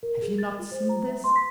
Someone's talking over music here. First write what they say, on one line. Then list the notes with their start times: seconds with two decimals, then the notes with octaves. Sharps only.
Have you not seen this?
0.03 A#4
0.22 G#4
0.38 A6
0.59 F4
0.71 C5
0.89 A#5
1.08 E5
1.24 C6
1.36 B6